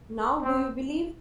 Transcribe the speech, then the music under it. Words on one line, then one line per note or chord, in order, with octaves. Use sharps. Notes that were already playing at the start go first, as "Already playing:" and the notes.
Now do you believe?
C4